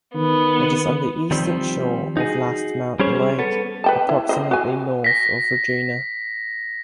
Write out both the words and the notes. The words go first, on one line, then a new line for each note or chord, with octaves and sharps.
It is on the eastern shore of Last Mountain Lake approximately north of Regina.
D#3 B3
D#3 F3 G3 C4
D#4 F#4 G#4
G3 C#4 G#4 C5 C#5
B3 A4
B4 G5 A5
E4
C4 C5 D#5
F#4 G#5
A#6 B6